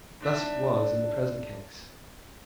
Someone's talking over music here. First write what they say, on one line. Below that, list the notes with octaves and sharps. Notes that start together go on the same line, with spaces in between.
Thus it was in the present case.
D#2 D4 E5